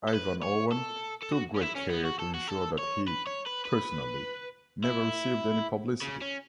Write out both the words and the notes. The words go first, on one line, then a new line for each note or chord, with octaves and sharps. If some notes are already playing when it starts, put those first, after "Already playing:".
Ivan Owen took great care to ensure that he, personally, never received any publicity.
A4
B4
C#5
A4
A4
F#4
C#4
E4
C#4
B3
F#4
A4
F#4
A4
C#5
B4
C#5
B4
B4
E4
C#3
C#4